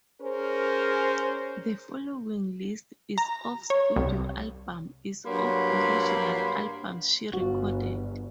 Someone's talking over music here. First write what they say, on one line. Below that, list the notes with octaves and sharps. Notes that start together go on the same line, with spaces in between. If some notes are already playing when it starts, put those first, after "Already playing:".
The following list is of studio albums is of original albums she recorded.
C#4 G#4 A#4 C5
A#5
C#5
C2
G2 F#3 A#3 B5 C6
G1 F4 F#4